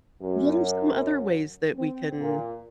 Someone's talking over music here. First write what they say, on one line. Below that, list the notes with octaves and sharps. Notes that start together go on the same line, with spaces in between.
What are some other ways that we can
F#2
C4
A#2